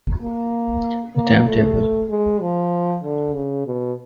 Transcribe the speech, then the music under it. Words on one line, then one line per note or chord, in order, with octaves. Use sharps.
The time table.
A#3
A#3
A3
G#3
F3
D3
C#3
B2